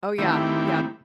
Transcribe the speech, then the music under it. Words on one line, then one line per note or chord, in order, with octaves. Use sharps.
Oh yeah, yep.
D#3 A3 C4 E4 G4